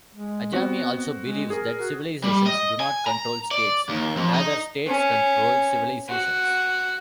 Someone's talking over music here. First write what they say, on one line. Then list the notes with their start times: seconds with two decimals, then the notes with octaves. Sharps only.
Ajami also believes that civilizations do not control states; rather, states control civilizations.
0.15 G#3
0.53 B3 C4 F#4
1.24 G#3
1.50 G#4 A#4
1.80 F#4
2.23 G3
2.46 D#5
2.80 G#5
3.07 A#5
3.51 D5
3.89 D#2
4.16 F2
4.34 D#4
4.87 C#4
6.09 F#4